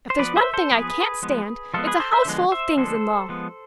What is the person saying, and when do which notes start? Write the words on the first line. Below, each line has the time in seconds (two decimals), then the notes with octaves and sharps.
"If there's one thing I can't stand, it's a houseful of things-in-law!"
0.10 C5
0.19 F3 B3 B4 D5
0.36 C5 E5
0.54 A4 C5
0.71 F3 B3 G#4 B4
1.22 F3 G#3 B3
1.74 F3 G#3 B3 F4 A4
1.87 G#4 B4
2.00 A4 C5
2.13 C5 E5
2.25 D3 F3 G#3 B3
2.52 C5 E5
2.77 D3 F3 G#3 B3 A4 C5
3.29 F3 G#3 B3